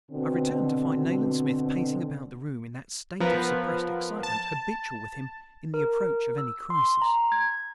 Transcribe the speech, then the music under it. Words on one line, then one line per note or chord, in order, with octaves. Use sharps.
I returned to find Nayland Smith pacing about the room in that state of suppressed excitement habitual with him in the approach of any crisis.
B2 D3 C4
F3 B3 A#4 B4
A5
A#4
E6
C6
A#5
G#6